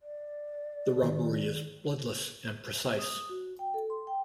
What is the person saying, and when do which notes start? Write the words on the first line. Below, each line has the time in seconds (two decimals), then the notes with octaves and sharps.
The robbery is bloodless and precise.
0.01 D5
1.03 D#3
2.99 D#6
3.29 F#4
3.59 G5
3.74 A4
3.90 C6
4.07 G5